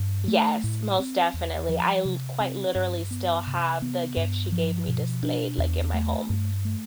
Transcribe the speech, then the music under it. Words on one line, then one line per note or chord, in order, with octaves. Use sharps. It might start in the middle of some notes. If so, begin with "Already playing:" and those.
Yes, most definitely. I l quite literally still have the gift she gave me displayed, like, in my home.
Already playing: G2
A3
A2
C4
E2
F3
C3
C4
G2
B3
C3
B3
G2
F3
B2
D4
E2
A3
G2
A3